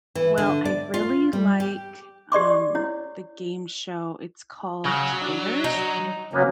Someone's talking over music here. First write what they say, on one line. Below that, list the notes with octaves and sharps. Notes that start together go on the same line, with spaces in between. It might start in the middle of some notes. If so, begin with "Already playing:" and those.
Well, I really like, um, the game show, it's called Traitors.
E3
D3
D5
F4
G3
G4
G4 D5 C6 D6
E4 C#5
C#3 F#3 F#4
D4
D#4
C#3 F#3 A#3 B3 C#4